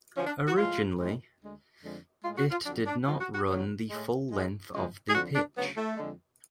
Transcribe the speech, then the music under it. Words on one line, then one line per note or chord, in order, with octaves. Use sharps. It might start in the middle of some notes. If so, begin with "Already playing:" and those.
Originally, it did not run the full length of the pitch.
F#2 D3 F3 C#4
D4
F#4
A2 F3 G#3 F4
A2 G#3
D2 D3 G#3
F2 D3 F3 G#3
A2 G#3 F4
F#4
F4
F2 D3 F#3 D4
D4
F#2 F3 G#3 F4
F#4
F#4
F2 D3 F#3
A2 G#3
G#2 F3 G#3
F#2 C#3 F3 G#3
G#4
F2 D3 F3 F#4
D4
D2 C#3 F#3 B3
A3
F2 D3 G#3